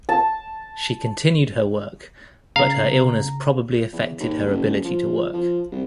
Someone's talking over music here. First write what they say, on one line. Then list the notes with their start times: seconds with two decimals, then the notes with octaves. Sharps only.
She continued her work, but her illness probably affected her ability to work.
0.09 A5
2.56 C#3 F5 A#5
3.92 E2
4.20 D#2
4.46 F#1
4.84 F3
5.34 F3
5.72 C2